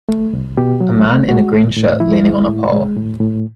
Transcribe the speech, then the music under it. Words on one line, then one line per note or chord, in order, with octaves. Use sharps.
A man in a green shirt leaning on a pole.
A3
C2
B2 G4
F#3
A3
G#3 F#4
A2
A2
F3 E4
G#3
A2
G#3
A2
A2